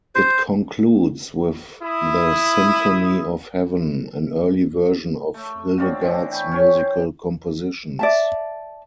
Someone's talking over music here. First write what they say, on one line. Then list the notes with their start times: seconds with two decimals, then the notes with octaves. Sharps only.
It concludes with the Symphony of Heaven, an early version of Hildegard's musical compositions.
0.15 C5
1.83 E4 D#6
5.34 A3
5.78 C4 D4 F4 F#4
6.01 E3 C4 D4
6.31 G5 G#5 B5 C#6
6.52 C#4 C#5
6.76 C5
7.99 D5 E5 A5